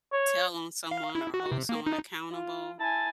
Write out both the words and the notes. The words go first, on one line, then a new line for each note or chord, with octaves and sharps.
tell on someone or hold someone accountable,
C#5
F5
E4
F#4
C3
A#3
D#4
F4
E4 G#5 A5